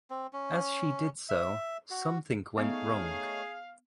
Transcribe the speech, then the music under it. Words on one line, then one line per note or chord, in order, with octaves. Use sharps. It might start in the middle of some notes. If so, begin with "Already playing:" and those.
As she did so, something went wrong.
C4
C#4
E5
F#4
A3 B3 D#4 G#4 C#5 F5